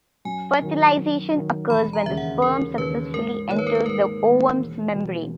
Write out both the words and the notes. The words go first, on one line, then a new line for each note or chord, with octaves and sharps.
Fertilization occurs when the sperm successfully enters the ovum's membrane.
F#2 G#5
D#3 F#3
F#2
D#3 F#3
E1 B5
A#5
D#2 C#3 E5
F#5
E1 A#4
D#2 C#3 B4
G#2 A#4
D#3 A#3 C#5
B4
A#4
B4
G#2 A#4
D#3 A#3
E1
E2 B2